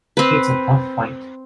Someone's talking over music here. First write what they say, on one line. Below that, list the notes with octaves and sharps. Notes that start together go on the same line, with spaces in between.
It's a tough fight.
C4 B4